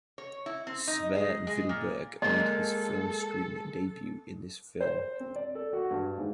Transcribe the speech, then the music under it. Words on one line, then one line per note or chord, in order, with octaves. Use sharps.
Sverre Wilberg made his film screen debut in this film.
C#5
E4
C4
D#4
G#3
G#3
A#2
G#3 A#3 A4 D#5
C5
C4
D5
A4
F#4
G2
G#2